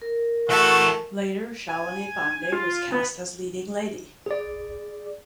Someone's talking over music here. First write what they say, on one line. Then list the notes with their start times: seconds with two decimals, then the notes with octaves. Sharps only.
Later Shalini Pandey was cast as leading lady.
0.02 A#4
0.49 E3 A3 F#4 A5
1.69 G#5
2.52 F4
2.92 B3
4.26 G#4 D5